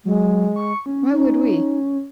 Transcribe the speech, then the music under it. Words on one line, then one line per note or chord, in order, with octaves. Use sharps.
Why would we?
F#3 G#3
C#6
C#4
D#4